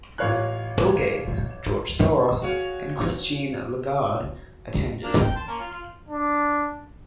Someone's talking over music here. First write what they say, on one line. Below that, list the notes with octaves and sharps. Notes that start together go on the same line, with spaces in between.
Bill Gates, George Soros and Christine Lagarde attended.
A1 F4 C#5 F5 F#6
F#4 G#4 C#5 F5
A#3 D4 F5
G5
A5 C6
A#3 C#4 A#4
F4
F4
D4